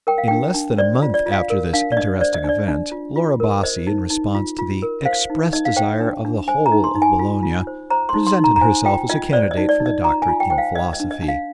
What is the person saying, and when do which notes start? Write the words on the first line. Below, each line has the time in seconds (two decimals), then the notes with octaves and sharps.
In less than a month after this interesting event Laura Bassi, in response to the expressed desire of the whole of Bologna, presented herself as a candidate for the doctorate in philosophy.
0.07 A#4 G5
0.18 F5
0.28 D4 G5
0.55 D4
0.78 C5 D5
1.02 F4
1.14 D5
1.26 F4
1.32 F5
1.50 A#4
1.73 D4 F5
1.92 D5
1.97 D4 D#5
2.21 C5 D5
2.34 D#5
2.44 D4 D5
2.68 D4
2.92 F4
3.16 F4
3.40 A#4
3.63 C5 D#5
3.87 D#4
4.10 D#4
4.35 F4
4.59 F4
4.82 A#4
5.05 C5 F5
5.30 D#4
5.53 D#4 D#5
5.65 F5
5.76 C5 G5
6.01 D4
6.25 D4
6.48 C5 G#5
6.66 A#5
6.72 D#4
6.84 C6
6.95 D#4
7.02 G#5
7.19 F4
7.43 F4
7.67 C5
7.90 C5 A#5
8.09 C6
8.14 D#4
8.27 C6
8.38 D#4
8.44 A#5
8.56 A#5
8.61 C5 G#5
8.85 F4 G5
9.09 F4 D#5
9.33 C5 D5
9.51 D#5
9.57 D#4
9.69 D5
9.80 D#4
9.86 D#5
10.04 F4 A#5
10.22 G#5
10.28 F4
10.40 G5
10.50 C5 G5
10.58 F5
10.75 C5 D#5
10.93 D#5
11.00 D4
11.11 D#5
11.22 D4
11.28 F5